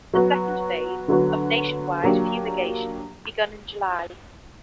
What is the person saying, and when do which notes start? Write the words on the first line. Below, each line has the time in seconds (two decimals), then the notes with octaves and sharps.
The second phase of nationwide fumigation begun in July.
0.13 F#3 B3 F#4
1.08 D3 F#3 B3 F#4
2.03 F#3 A#3 D4 G4